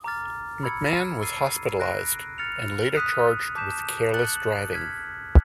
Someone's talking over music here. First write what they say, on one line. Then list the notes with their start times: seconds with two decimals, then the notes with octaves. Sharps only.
McMann was hospitalized, and later charged with careless driving.
0.04 A#5 D6 F6 A6
0.63 B5 E6 G#6 C#7
1.21 E6 A6 C7 D#7
1.79 F#6 A#6 D7
2.38 F6 A6 C#7 F7
2.97 D#6 F#6 B6 D#7
3.55 A5 D6 G6 B6 E7
4.14 F#6 A6 C#7 F#7
4.72 F6 G#6 B6